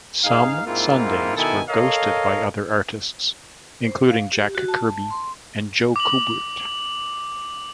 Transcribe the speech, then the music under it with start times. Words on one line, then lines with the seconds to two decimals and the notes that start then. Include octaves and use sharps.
Some Sundays were ghosted by other artists, including Jack Kirby and Joe Kubert.
0.24 G#2 D#4 G#4 F5
0.67 G#2 A#3 C4 E4 F4
1.37 B2 D#3 B3 E4 A4 G#5
1.69 A4 A#4 C#5 D#5 F5
3.84 C5
4.09 F5
4.33 G4
4.55 F#4
4.68 A5
5.11 C6
5.96 D6 F#7